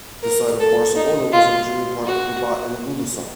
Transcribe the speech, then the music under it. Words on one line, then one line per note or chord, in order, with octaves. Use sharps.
The site of Barcelona was originally part of Gubat and Bulusan.
A#4
A4
D#4
F4
F#4